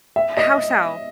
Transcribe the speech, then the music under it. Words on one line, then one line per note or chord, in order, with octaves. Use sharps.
How so?
E5
D#5